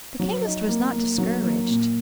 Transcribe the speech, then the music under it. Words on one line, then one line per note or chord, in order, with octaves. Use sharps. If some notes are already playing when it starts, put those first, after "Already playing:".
The chemist was not discouraged.
F#3
D#4
A#3
A#3
F#3
A#3
A#2